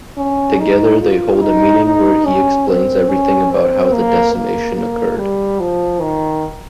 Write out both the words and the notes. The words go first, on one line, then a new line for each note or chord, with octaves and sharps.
Together they hold a meeting where he explains everything about how the Decimation occurred.
C#4
D#4
F4
D#4
D#4
C#4
C4
C#4
C4
A#3
A#3
A#3
G3
F3
D#3